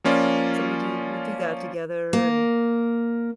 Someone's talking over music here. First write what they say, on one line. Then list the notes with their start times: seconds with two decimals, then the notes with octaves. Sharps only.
so we do we'll do that together, and
0.04 F3 A#3 C#4 F4 D5
2.13 A#3